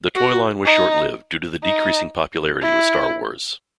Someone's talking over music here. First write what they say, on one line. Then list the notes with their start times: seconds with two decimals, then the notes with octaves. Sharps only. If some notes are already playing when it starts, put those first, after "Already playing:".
The toy line was short lived due to decreasing popularity with Star Wars.
0.16 F#4
0.66 D#4
1.64 D#4
2.62 E4